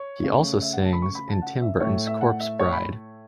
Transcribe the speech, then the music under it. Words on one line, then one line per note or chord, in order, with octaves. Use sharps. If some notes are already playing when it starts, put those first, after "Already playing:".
He also sings in Tim Burton's "Corpse Bride".
Already playing: C#5
C#3 A3
E5
F#5
A5
B5
C#6
B5
A5
F#5
E5
A2 A3 C#5
E5
F#5
E5
C#5
B5